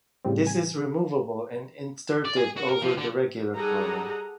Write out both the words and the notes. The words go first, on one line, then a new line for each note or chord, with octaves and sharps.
This is removable and inserted over the regular cover.
A2 C#3 G3 C4
G#5
D5
G#4
F#4
A#4
F3
D3
G3 D#4 G#4 A4 F#5 A#5